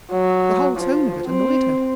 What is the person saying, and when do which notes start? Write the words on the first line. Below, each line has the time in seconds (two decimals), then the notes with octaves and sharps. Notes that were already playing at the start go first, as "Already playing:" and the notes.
The whole tone of it annoyed her.
0.12 F#3
0.78 F3
1.27 C4